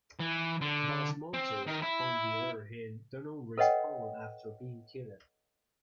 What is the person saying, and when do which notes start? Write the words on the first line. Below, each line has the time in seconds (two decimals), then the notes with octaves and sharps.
Boss monsters, on the other hand, do not respawn after being killed.
0.20 E3
0.61 D3
1.34 C4
1.67 D#3 A#4
1.82 E4
3.58 A4 B4 C#5 D#5 F#5 G5